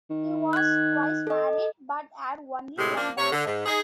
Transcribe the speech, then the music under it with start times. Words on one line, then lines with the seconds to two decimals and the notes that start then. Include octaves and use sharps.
He was twice married, but had only one daughter.
0.10 D#3
0.53 F#6 G#6
1.27 A4 D#5
2.77 A2 C3 G#3
2.96 F3 A#3 D4
3.17 C3 C#5
3.32 D3
3.46 G#2
3.66 D#4 G#4